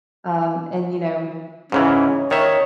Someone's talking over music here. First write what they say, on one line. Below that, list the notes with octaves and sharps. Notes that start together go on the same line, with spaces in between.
Um, and, you know,
G#2 C#3 E3 C#4
D#3 C#5 E5